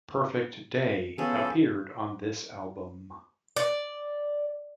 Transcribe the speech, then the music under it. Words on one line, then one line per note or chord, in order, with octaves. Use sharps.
"Perfect Day" appeared on this album.
F3 B3 C#4 G#4 A4
D5